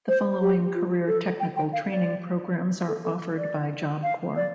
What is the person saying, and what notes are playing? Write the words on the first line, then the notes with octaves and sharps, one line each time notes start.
The following Career Technical Training programs are offered by Job Corps.
C5
G4
F4
A4
G5
G5
F5
D5
A4
A4
D5
F5
D5